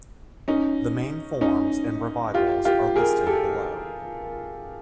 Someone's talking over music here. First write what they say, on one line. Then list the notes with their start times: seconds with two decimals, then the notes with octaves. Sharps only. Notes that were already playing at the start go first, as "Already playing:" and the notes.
The main forms and revivals are listed below.
0.48 C#4 D#4
1.41 C#4 D#4
2.34 F4 G4
2.65 F4 G4
2.96 G#4 A#4
3.27 G4 A4